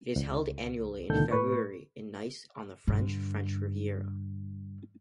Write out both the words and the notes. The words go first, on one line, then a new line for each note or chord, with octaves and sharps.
It is held annually in February in Nice on the French Riviera.
C#2
C#2 A#2 D3 D#3 A4 G6
A2 B4 C#6
G2 D3